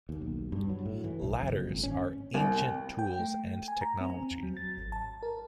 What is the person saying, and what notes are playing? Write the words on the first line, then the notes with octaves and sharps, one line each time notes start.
Ladders are ancient tools and technology.
D#2
B1
G2
F#3
A2
E3
B1
F#1
F2
G#1
C#4
C2
G5
A3
G#5
A#5
C4
E2
F#3
A6
G#1
A5
A#4